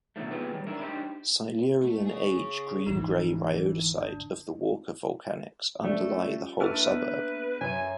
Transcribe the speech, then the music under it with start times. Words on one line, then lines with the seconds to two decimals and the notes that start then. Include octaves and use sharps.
Silurian age Green grey rhyodacite of the Walker Volcanics underlie the whole suburb.
0.16 B2 D3 D#3 F3 A3
0.31 A#3 B3 F4 G4 G#4 B4
0.53 D#3 G3
0.67 D4 E4 A#4
0.80 D4 D#4 G4 C5
1.83 A3
2.06 G#4 C#5
2.86 G#1 D2 E3 D#4
4.01 D4
5.84 F3 G3 A3 C#4 D4 F4
6.60 A#3 D4 A4 B4 E5 E6 F6
6.88 B3
7.61 F#2 C#5 E5 G#5